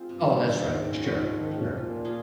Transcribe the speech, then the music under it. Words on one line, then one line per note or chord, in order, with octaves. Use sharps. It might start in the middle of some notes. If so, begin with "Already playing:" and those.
Oh, that's right, sure, sure.
Already playing: G#3 C4 F4
G2 C3
D#3 A#3
G#2 D#3
G3 C#4
F3
D#3
C#3 A#3 C#4 G4
C3
A#2 F3
A#3 F4 G#4